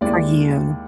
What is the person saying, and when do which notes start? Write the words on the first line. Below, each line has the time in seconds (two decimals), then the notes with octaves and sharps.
for you.
0.01 D#2 G#3 E4 D5